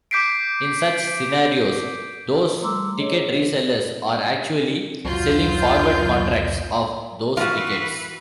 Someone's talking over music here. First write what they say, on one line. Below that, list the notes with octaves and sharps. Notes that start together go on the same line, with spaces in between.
In such scenarios, those ticket re-sellers are actually selling forward contracts of those tickets.
D6 G6 B6 C7 D7
G3 A3 A#5 C6 D6 E6
G#4 C#5 D#5
F1 C#2 F#3 F4 G6
E3 F4 F#4 B4